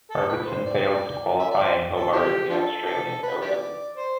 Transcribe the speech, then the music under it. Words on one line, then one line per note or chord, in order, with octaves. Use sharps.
Arvidsson failed to qualify in Hobart and the Australian Open.
A4
B4
C5
D5
E5
D5
C5
A4
C4 E4 G4
D4 F4 A4
A4
B4
G4 B4 D5
C5